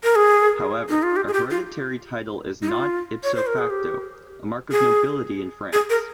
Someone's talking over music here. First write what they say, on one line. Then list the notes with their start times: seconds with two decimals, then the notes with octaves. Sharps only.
However, a hereditary title is not, "ipso facto", a mark of nobility in France.
0.03 A#4
0.15 G#4
0.89 D#4
1.03 F4
1.16 G4
1.28 G#4
1.33 G4
1.50 F4
2.62 D#4
2.69 F4
3.23 C#5
3.35 C5
3.47 A#4
3.58 G#4
3.70 G4
4.72 G#4
5.73 G#4
5.90 A#4